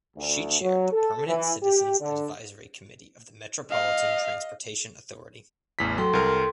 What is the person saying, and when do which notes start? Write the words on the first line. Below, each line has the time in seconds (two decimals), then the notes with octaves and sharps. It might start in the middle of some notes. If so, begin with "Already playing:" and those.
She chaired the Permanent Citizens’ Advisory Committee of the Metropolitan Transportation Authority.
0.16 D2
0.60 F#3
0.91 A4
1.27 E3
1.62 G4
1.99 D3
3.71 D#5 F5
5.79 A1 E2 B6
5.98 F#3 A4 G5 C6
6.13 C2 A#4 F6